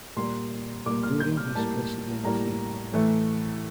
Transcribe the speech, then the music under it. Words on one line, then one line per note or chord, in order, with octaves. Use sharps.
During his presidency.
A#2 G3 A#3 C6
A#2 G3 A#3 D6
F6
G6
F6
A2 G3 A#3 A5
A2 G3 A#3 A#5
A2 E3 A3